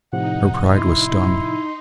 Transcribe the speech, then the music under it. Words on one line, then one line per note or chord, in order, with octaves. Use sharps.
Her pride was stung.
A2 C3 F3 D#4 F#5
E4 C6